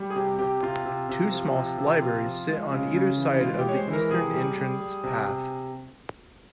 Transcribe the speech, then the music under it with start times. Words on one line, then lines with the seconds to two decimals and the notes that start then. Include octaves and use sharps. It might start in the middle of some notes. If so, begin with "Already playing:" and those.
Two small libraries sit on either side of the eastern entrance path.
Already playing: G3
0.10 G#4
0.16 C3 G4
0.39 C3 G4
0.62 C3 F4
0.86 C3
1.09 C3
1.32 F3
1.55 C3
1.78 C3
2.01 F3 F4
2.25 F3
2.48 G#3
2.71 C#3
2.94 C#3
3.18 E3
3.41 G#3 F4
3.58 G4
3.64 G#3 C#5
3.76 C5
3.88 E3
3.93 A#4
4.11 C3 G#4
4.34 G3
4.57 G3
4.80 G3
5.04 C3
5.27 C3